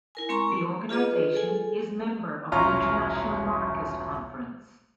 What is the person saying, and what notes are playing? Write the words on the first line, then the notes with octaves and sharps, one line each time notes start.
The organization is member of the International Monarchist Conference.
E4 A#4 G#5
G#3 C4 A#4 G#5 A#5 C#6
A3
F4 G#4 B4 D#5
G#4 A4 G#5
E1 C2 C#4 F4 A#5 F6